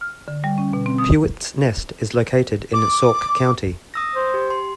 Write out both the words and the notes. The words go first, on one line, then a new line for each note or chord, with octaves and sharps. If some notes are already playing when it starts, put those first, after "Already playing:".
Pewits Nest is located in Sauk County.
F6
D3
G3
C#4
B2
C4
D#6
D6
D#6 E6 A#6
C5
G4
C6